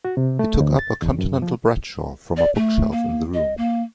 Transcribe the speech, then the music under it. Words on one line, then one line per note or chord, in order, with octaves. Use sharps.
He took up a Continental Bradshaw from a bookshelf in the room.
F#4
C3
A3
D2
A6
E2
F#2
F3
D5
A3
A#3
D#5
A#3